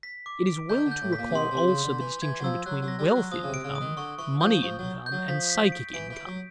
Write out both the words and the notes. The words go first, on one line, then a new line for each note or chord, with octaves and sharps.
It is well to recall also the distinction between wealth income, money income, and psychic income.
B6
D6
D7
D#3 G6
D3
G6
A2
B6
A#2
C3
B2 C6
C3
C6
C#3
C6
D3
E3 C6
E3 G#6
F#3
F3 E6
F#3 F#6
F#3
A#6
G3
F#6
F#3
F3 D#6
C#3
C3
D7
C#3
D#6
D#3
D3 C#6
E3 C#6
F3 G6
F3 C#6
F#3
C#6
G6
F#3
F3 B6
B6
D7
E3 D7
E3
D7
F#3